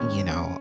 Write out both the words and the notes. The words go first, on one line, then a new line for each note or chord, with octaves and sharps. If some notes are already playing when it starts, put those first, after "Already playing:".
you know,
Already playing: D#2 D#3 C#4